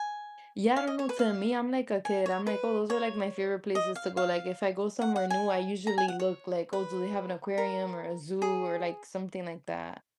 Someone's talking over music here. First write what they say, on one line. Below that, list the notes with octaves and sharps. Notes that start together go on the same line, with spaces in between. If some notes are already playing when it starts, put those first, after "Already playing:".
Yeah, I don't know, to me, I'm like a kid, I'm like, oh, those are like my favorite places to go. Like, if I go somewhere new, I usually look like, "Oh, do they have an aquarium or a zoo," or like something like that.
Already playing: G#5
F5
D#5
C#5
B4
F5
G#5
C#5
B4
C#5
D#5
F5
F5
F#5
F#5
G#5
A#5
G#5
F#5
C#5
B4
A#4
G#4